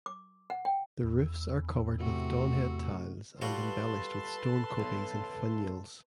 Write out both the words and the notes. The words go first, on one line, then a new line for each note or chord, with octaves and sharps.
The roofs are covered with Donhead tiles and embellished with stone copings and finials.
D6
F#5
G5
E2
A2 C3 F#4
G3 F4 F#4 A4 B4 A5 C6
B1